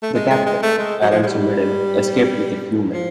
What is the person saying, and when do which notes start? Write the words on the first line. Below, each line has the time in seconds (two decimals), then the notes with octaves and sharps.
The Captain, Alonso Medel, escaped with a few men.
0.03 A3
0.14 G#3
0.31 G#3
0.46 G#3
0.63 A3
0.78 G#3
1.02 F#3
1.11 F3
1.23 G#3
1.26 G3
2.93 F3